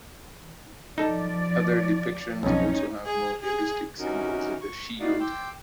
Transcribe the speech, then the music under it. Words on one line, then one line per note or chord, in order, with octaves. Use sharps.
Other depictions also have more realistic symbols in the shield.
F3 D#4 A4 D5
B1 F2 C#4 D#4
G#4
G#4
C3 E3 C#4 D#4 F#4 A#4
C#6
A3 B3 D#4 F#4 D5 F5
G5 C6 D6 E6